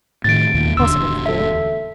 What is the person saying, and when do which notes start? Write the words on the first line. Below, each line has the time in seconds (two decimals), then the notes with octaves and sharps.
Impossible--of course.
0.24 A2 D#3 A6 D7
0.54 D#2 A#2
0.77 D1 E2 D3 C6 E6
1.26 A4 E5